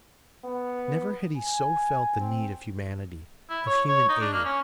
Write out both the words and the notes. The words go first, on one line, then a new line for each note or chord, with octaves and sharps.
Never had he so felt the need of humanity, of human aid.
B3
G#5
C4
E4
C#5
C#5
D#4
D4
A#3
C#4